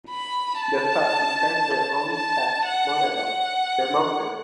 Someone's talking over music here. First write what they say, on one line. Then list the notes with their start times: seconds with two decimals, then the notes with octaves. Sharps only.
The park is centered on Pack Monadnock, the mountain.
0.09 B5
0.60 A5
2.13 A5
2.64 F#5
3.16 F#5